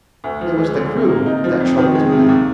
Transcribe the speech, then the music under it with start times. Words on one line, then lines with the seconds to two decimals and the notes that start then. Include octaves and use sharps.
It was the crew that troubled me.
0.24 D2
0.41 F3
0.58 G#3
0.75 D3
0.93 C3
1.09 A#3
1.26 D#4
1.44 F3
1.60 F2
1.78 D#3
1.95 G#3
2.12 C3
2.29 D#2